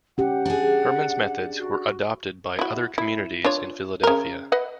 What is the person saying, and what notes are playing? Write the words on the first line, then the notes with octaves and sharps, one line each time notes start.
Herman's methods were adopted by other communities in Philadelphia.
C#4 G4 F#5
D4 G#4
F#4
E4 F#4
E4
D4 F4 C#5
C#3 A#4
B4 D#5 F#5